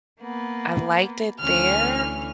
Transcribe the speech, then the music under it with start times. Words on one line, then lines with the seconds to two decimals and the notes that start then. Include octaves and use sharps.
I liked it there
0.22 A#3 B3
1.41 D2 E3 C#4 F6